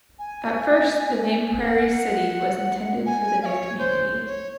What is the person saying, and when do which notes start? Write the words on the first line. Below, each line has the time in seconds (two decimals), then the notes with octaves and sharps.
At first the name Prairie City was intended for the new community.
0.19 G#5
1.62 F#5
3.06 G#5
3.42 F5
3.46 C#5
3.78 C5
4.26 C#5